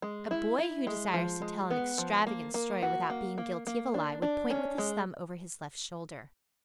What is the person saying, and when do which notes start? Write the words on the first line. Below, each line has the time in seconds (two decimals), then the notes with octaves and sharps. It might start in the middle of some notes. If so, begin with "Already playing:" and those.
A boy who desires to tell an extravagant story without being guilty of a lie would point with his thumb over his left shoulder.
0.02 G#3
0.31 E4
0.59 E4
0.87 G#3
1.14 F3
1.42 G#3
1.70 B3
1.98 F3
2.27 A#3
2.54 A#3
2.82 F#4
3.10 A#3
3.38 A#3
3.67 A#3
3.94 D4
4.22 D4
4.50 C#4
4.78 G#3